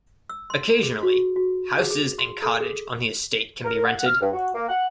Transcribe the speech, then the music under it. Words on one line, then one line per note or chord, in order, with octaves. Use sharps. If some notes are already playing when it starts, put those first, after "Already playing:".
Occasionally, houses and cottage on the estate can be rented.
E6
C6
G#4
F#4
F#4
G#4
G#4
C6
A4
G#4
A#4
F#5
F6
G2
F#4
A#3
F#5